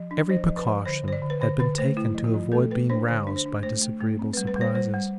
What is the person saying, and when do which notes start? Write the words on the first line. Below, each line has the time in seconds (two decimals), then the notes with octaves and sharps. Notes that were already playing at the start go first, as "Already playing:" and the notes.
Every precaution had been taken to avoid being roused by disagreeable surprises.
Already playing: F3
0.11 D4
0.29 F3 C5
0.48 F3
0.57 B4
0.67 F3
0.86 D3 C5
1.04 D3 C5
1.13 D5
1.22 D3
1.30 B4
1.41 D3 C5
1.59 D3 B4
1.78 A3 C5
1.97 A3 E4
2.15 F3
2.24 F4
2.34 F3
2.52 A3 A4
2.71 A3 B4
2.90 D4 C5
3.08 D3 C5
3.27 D4
3.36 C5
3.46 D4
3.63 A3 C5
3.82 A3
4.01 A3
4.19 C4
4.33 G3 B4
4.47 B4
4.56 G3
4.61 C5
4.74 G3 C5
4.94 G3